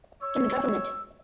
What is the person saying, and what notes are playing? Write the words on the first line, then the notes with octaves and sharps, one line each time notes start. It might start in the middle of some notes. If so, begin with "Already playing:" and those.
In the Govt.
C#5 E6